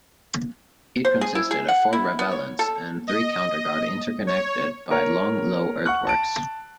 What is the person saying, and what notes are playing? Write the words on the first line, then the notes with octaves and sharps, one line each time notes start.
It consisted of four ravelins and three counter guard interconnected by long, low earthworks.
C5
G#4
E4
G#4
F#5
E4
B3
C#5
A4
D#5
C#5
A#4 C#5
F#5 C#6 F#6
A5 D7